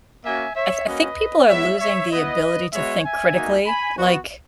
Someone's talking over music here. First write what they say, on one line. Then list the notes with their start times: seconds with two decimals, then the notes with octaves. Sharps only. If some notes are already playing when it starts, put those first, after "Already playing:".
I th I think people are losing the ability to think critically. Like,
0.24 A#3 C#4 F#4 E5 G#5
0.55 C#5 E5
0.86 A#3 C#4 F#4 B4 D#5
1.48 G#3 B3 E4 C#5 E5
1.79 C#5 E5
2.10 B3 E4 B4 D#5
2.73 G#3 B3 F#4 C#5 E5
3.03 E5 G#5
3.35 A#3 D#4 F#4
3.65 G#5 B5
3.97 B3 F#4